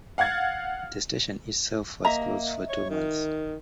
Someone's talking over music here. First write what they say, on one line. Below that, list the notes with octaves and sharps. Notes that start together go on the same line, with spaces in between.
The station itself was closed for two months.
F5 F#5 F6 G#6 A6
A#3 D#5 E5 A#5
C#5
D#3